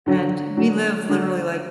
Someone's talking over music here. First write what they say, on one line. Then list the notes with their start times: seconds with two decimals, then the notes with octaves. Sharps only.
and we live literally, like,
0.06 D3 F#3 D4
0.57 D3 F#3 D4
1.09 D3 F#3 D4